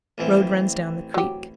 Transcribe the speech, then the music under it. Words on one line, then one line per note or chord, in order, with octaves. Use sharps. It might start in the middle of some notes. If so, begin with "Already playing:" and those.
Road runs down the creek.
A1 E3 C4
F#3 G4